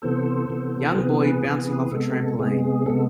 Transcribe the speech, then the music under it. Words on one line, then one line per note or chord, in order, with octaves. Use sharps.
Young boy bouncing off a trampoline.
C3 E3 B3 A4 C5
C3 E3 B3
C3 E3 B3 G#4 B4
C3 E3 B3
B4
C3 G#3 B3 A4
C3 G#3 B3 G#4
C3 G#3 B3 A4